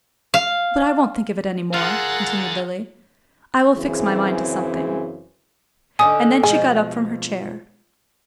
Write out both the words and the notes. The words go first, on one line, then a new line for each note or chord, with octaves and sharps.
"But I won't think of it any more," continued Lily; "I will fix my mind to something." And then she got up from her chair.
F5
D3 F4 G#4 A#4 F#5 A6
F#2 C#3 E3 C4 G#4
D3 C#4 D#4 G#5 D#6
B2 F3 G#3 G#4